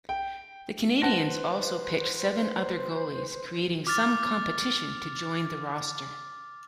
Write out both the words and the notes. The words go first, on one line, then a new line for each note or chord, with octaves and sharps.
The Canadiens also picked seven other goalies creating some competition to join the roster.
G5
B4 C5 F#5 A5 A#6
D6 F6 A6